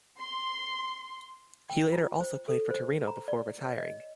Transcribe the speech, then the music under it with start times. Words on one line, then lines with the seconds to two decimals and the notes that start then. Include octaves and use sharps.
He later also played for Torino before retiring.
0.19 C6
1.70 G5
1.93 F4
2.21 C5
2.48 A4
2.70 C5
3.07 A#5
3.28 D5
3.63 C#5
3.78 D#5